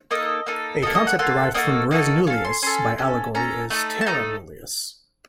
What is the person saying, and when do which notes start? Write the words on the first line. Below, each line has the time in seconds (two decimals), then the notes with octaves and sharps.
A concept derived from "res nullius" by allegory is "terra nullius".
0.11 A#3 D#4 A4 D#5
0.46 A#3 D#4 A4
0.82 A#3 F4 A4 D#5
0.95 D#5
1.07 F#5
1.19 A#3 F4 A4 F#5
1.54 A#3 D#4 F#4 A4 D#5
1.91 A#3 D#4 F#4 A4
2.27 C#4 A4 F5
2.45 C6
2.62 C#4 A4 C6
2.98 C#4 A4
3.35 C#4 A4 A#5
3.70 A3 D#4 A4
4.01 A5
4.06 A3 D#4 A4 A#5